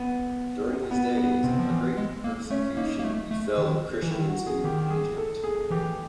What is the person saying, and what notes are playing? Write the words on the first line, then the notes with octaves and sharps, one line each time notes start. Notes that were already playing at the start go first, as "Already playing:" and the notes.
During his days, a great persecution befell the Christians in Egypt.
Already playing: B3
B3
B3
C3 C4
F3
E3
G#3
A#3
A3 C#4
A#3 D#4
A#3
A3
A3
D#3
E3
D#3 E4
F#4
G#4
D#3 G4
G#4
A4
G#4
E3 G4